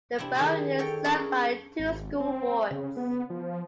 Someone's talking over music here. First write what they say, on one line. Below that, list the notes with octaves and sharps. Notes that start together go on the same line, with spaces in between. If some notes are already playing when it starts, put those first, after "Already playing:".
The Borough is served by two school boards.
C3 C4 D4 E4
D#3 G4 G#4 C5 D5 B5
A4 C#5 G5
C#4 D4 E4 G#4 A#4 C#5
G#1
C4
C#3
B3
F3